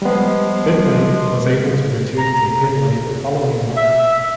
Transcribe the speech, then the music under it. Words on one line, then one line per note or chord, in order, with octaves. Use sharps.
Finlay was able to return to Henley the following month.
F3 G3 G#3 B3
A#5
E5